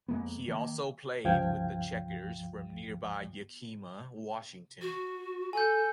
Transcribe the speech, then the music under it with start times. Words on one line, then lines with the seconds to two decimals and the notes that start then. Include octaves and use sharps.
He also played with the Checkers from nearby Yakima, Washington.
0.08 F2 G#3 A#3 B3
0.48 D#3 A#3
1.24 C#2 G2 F3 F5 G5 G#6
4.82 F#4
5.53 A4 G#5 G6